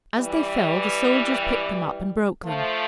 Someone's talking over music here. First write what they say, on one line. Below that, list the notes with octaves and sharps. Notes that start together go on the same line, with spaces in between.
As they fell, the soldiers picked them up and broke them.
E3 G3
F3 A3